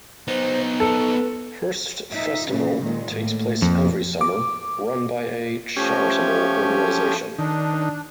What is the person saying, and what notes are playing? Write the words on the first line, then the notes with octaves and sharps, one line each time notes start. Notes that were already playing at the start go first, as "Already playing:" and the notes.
Hurst Festival takes place every summer, run by a charitable organisation.
B3 D#4 C5
A4 B4
F3 D#4 E5
A#2 C#3 E3
A#2 D#3 G#3
A2 A3 A#3
F2
D6
F3 A3 C#4 G4 G#5
D#3 D4